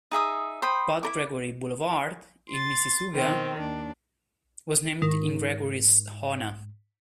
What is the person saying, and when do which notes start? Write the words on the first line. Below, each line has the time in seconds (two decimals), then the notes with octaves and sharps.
Bud Gregory Boulevard, in Mississauga, was named in Gregory's honour.
0.11 D#4 G#4 E5 D#6
0.62 C5 G5 B5 D#6
1.03 E4 A#4 D6
2.49 C6 A6
3.13 B2 D#3 C4
3.59 D#2 D4
5.02 G#2 D#3